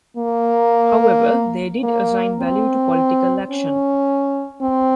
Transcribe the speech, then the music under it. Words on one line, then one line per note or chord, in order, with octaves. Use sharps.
However, they did assign value to political action.
A#3
A#3
C4
C#4
C4